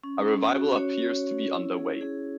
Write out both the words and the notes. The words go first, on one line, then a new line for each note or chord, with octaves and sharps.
A revival appears to be underway.
C#4
C#4
F#4
C#5
C#5
C#4
E4
G#4
G#4